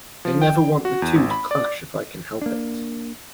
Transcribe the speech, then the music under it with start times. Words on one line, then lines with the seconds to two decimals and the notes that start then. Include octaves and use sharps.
I never want the two to clash if I can help it.
0.25 F3
0.42 G5
0.85 F#4
1.02 E2
1.16 G#1
1.31 B5
1.51 D5
2.42 A#3 D4